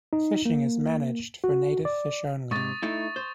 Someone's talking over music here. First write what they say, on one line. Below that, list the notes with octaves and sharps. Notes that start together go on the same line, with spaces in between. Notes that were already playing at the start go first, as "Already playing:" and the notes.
Fishing is managed for native fish only.
D#4
A#3
F#4
D5
G#2 C3 C#6 D#6 A6
A3 D#4 E4
C5